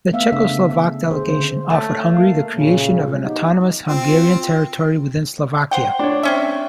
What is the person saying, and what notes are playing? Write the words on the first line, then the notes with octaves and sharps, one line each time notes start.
The Czechoslovak delegation offered Hungary the creation of an autonomous Hungarian territory within Slovakia.
A3 B3 E5 F5
C#3 D4 E5
D3 G#4 C5
C#4 C5
A3 A#3 C#5
A#3 F5
A#2 C#3
F3 B3 D#4 G4
C4 F4
C5 F#5 G5
D4 C#5
C4 C#4 E5